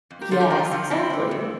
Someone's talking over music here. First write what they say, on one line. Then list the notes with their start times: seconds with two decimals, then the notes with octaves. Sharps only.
Yes, exactly.
0.11 F2
0.21 G4 A#4
0.31 D3 F3 A4 C5
0.40 G4 A#4
0.50 F2 D4 F4
0.71 D3 F3
0.90 F2 C4 E4
1.10 F3
1.13 D3
1.31 F2